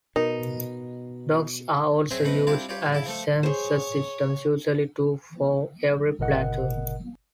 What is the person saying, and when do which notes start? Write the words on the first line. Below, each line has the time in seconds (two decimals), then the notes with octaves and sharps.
Dogs are also used as sensor systems, usually two for every platoon.
0.16 B2 D#4 A#4
2.11 F#3 C4 G#4 C5 E5
2.24 A3 C4 B4 D#5
2.47 G3 C4 D4 E4 F4 F5
2.69 G3 C#4 F4 G4
2.93 C#3 E4 A5
3.06 F3 A3 A4
3.43 G#4 C5 C#5
6.19 G1 A#2 C#3 A#4 D#5 F#5